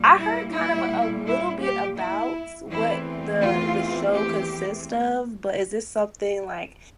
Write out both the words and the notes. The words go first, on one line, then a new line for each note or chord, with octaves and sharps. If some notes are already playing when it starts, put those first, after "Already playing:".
I heard kind of a little bit about what the the show consists of, but is this something like,
Already playing: A#2 G3 A#3
E4
E4
E4
G4
E4
E2 E3 A3 C4 E4
F4
G4